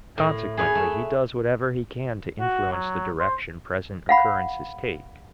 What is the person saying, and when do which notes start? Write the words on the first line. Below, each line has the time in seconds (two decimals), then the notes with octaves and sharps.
Consequently he does whatever he can to influence the direction present occurrences take.
0.18 A2
0.57 G#4 B4 C#5
0.75 A3
2.40 F#4
2.72 F#3
3.19 C5
4.09 F5 F#5 B5